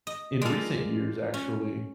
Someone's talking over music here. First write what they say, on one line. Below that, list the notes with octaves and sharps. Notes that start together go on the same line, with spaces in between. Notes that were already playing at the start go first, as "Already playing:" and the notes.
in recent years, actually,
D#5
G#3 F4 A4 A#4 D5
C#4